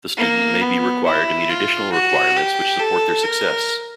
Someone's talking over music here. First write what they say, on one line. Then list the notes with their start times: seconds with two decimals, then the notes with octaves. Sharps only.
The student may be required to meet additional requirements which support their success.
0.17 A#3
0.61 B3
1.05 E4
1.49 F4
1.92 F#4
2.37 G4
2.79 A4
3.23 A#4